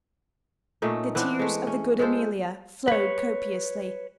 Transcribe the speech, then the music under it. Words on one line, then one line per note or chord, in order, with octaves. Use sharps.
The tears of the good Amelia flowed copiously.
A#2 A3 C#4 D#4
E3 B3 C4 D4
G#3 A3
C#4
G#3 F4 A4 C5
B4 C#5